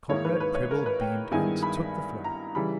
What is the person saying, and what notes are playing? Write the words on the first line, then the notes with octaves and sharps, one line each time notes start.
Comrade Prebble beamed, and took the floor.
G#2 D#3 A#3 E4 C#5
B4
B4
C#5
A#4
B4
G5
G2 D#3 G#3 B3 E4 G#5
B5
A#5
C#3 E3 G3 B5